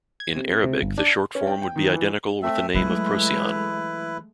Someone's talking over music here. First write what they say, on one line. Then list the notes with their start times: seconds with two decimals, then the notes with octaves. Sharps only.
In Arabic, the short form would be identical with the name of Procyon.
0.20 G#6
0.36 C3
0.64 C3
0.82 G1
0.98 D4
1.35 C#4
1.47 G5
1.62 G5
1.76 D#3
1.91 E3
2.43 A3 C4 E5
2.74 E3 F#3 G#3 A3 E4 B4